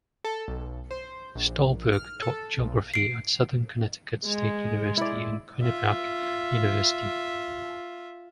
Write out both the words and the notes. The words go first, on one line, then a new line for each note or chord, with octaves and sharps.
Stolberg taught Geography at Southern Connecticut State University and Quinnipiac University.
A4
B1
C5
A#1
F6
A4
B1
C7 D7
G#3
E4 D5
F4 E5